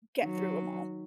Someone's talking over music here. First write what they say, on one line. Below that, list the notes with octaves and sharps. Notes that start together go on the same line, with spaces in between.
get through ‘em all.
D#3 F#3